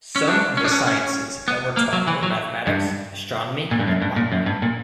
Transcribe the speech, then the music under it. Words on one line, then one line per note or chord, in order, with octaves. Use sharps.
Some of the sciences that were taught were mathematics, astronomy, and botany.
C#4
D4
C#4
D4
C#4
C#4
B3
A#3
F#3
E3
F#3
G2
A#2
G2
F#2
G2
A#2
F#2
G2
A#2